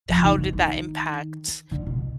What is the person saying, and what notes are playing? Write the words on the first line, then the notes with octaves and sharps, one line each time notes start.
how did that impact
F3
D#3
D#3
D#3
D3
B2